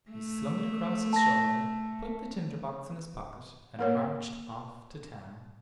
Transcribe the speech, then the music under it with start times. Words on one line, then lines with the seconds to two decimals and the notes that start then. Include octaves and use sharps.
He slung it across his shoulder, put the tinder-box in his pocket, and marched off to town.
0.10 A3
1.13 A5 A#6
3.79 A#3 A#4 C#5